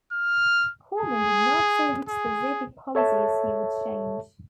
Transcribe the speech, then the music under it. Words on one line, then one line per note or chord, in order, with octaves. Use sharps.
Corbyn did not say which specific policies he would change.
F6
G#4
G#4
A4 C#5 E5 A5